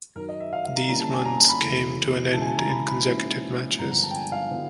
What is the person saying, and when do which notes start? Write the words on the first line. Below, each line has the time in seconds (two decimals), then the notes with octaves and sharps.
These runs came to an end in consecutive matches.
0.15 F#2 D#3 F#3 A#4
0.29 D#5
0.40 E5
0.53 F5
0.65 F5
0.76 A#5
0.88 D3 G3 A#3 C#4 E4 A#5
1.00 A5
1.13 G#5
1.25 A#5
1.37 A5
1.49 B5
1.61 E2 C#3 E3 A3
2.33 C#3 E3 G#3 C#4 E4 A5
2.41 G#5
2.46 A5
2.57 A#5
2.69 B5
2.88 B5
3.05 G#2 F3 A#3 C#4 E4
3.79 G2 D3 F3 G#3 B3 A#5
3.90 A#5
4.03 A5
4.10 G5
4.15 G#5
4.32 F5
4.50 D3 F#3 B3 E4